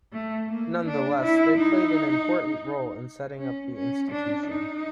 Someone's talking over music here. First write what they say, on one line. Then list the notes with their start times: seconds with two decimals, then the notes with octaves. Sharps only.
Nonetheless, they played an important role in setting up the institution.
0.13 A3
0.49 A#3
0.85 D4
1.21 E4
1.58 D#4
3.38 C#4
3.75 C#4
4.11 D4
4.46 D#4